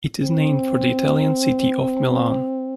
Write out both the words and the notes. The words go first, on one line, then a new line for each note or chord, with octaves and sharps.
It is named for the Italian city of Milan.
C4